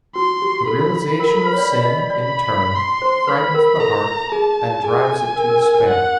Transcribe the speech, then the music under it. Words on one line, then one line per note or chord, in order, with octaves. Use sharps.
The realization of sin in turn frightens the heart and drives it to despair.
F#4 C6
G4
A4 B5
A#4
A4
B4
C#5
D5
D5
D#5
D5
D5
B5
C6
C5
B4 B5
A#4
A4 A#5
G#4 A5
G#4 G#5
A4
A#4
A#4
A#4
A#4
F#5